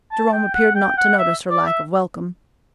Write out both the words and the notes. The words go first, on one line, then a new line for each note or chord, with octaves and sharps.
Jerome appeared not to notice her lack of welcome.
A5
G5
F#5
G5
F#5
E5
D5
E5